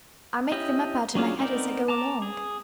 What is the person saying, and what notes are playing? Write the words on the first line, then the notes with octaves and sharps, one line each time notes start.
"I make them up out of my head as I go along."
C#4 E4 G4 D#5
F#3 C#4 D4 F4 G#4
B3 C4 D#4 A#4 D5
A5 A#5 D6
G#4